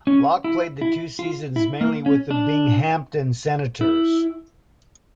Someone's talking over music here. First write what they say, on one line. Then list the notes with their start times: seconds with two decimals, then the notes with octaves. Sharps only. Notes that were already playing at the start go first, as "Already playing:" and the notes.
Locke played the two seasons mainly with the Binghamton Senators.
0.07 C#4
0.44 E4
0.81 E4
1.19 F4
1.56 E4
1.81 A#3
2.06 C#4
2.31 D4
3.81 E4